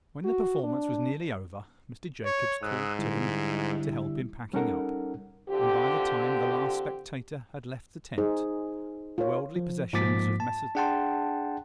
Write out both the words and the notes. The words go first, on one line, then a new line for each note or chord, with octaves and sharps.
When the performance was nearly over Mr. Jacobs called to him to help in packing up; and by the time the last spectator had left the tent the worldly possessions of Messrs.
F#4
D4
C#5
G#2 D#6 E6 F#6
D3 G3 E4
G3 C#4 D#4 A4 A#4 F#5
D3 C4 F4 G4
D#4 G#4 C5
F4 A#4 C#5
F3
G#2 F3 A#3 D6 A6 B6
A5
D4 G#4 F#5 G5 A5 C6